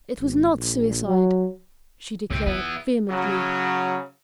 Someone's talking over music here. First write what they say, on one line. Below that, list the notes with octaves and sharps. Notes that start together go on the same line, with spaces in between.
"It was not suicide," she declared, vehemently.
G#1
A#1
F#3
C#2 A2 C4
B3 E4 F4
C#3 F#3